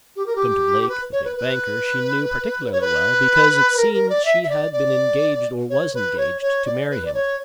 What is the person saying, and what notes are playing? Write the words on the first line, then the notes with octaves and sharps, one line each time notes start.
Gunter Lake, the big banker, she knew particularly well, because, it seemed, she had been engaged or was engaged to marry him.
G4
A#4
G4
B4
C#5
B4
B4
C#5
B4
A#4
A#4
D5
E5
E5
D5
D5
C#5
B4
C#5
C#5
D5
B4
D5
C#5